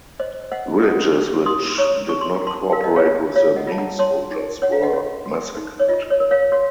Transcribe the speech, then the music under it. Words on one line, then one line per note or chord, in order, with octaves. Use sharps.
Villages which did not cooperate with the Ming soldiers were massacred.
C5 D#5
C5 D#5 F#5
A4 D#5 F#5
C#4
D#4 C6 D#6
C#5 A#5 C#6
D#4 C#6
C6
A#5
F#4
A5 C6
A#4 F5
D#5
C#5 F5
F4
F4 C#5 F5
D#5 F#5
F4 A5
F#5 A#5
C#5 A5 C6
D#4
C#5 F#5
F5
D#5 F#5
C#4
F#4
D#4
C#5
F4 D#5
C#5
A#4
C#5 F5
F#4 C#5 F5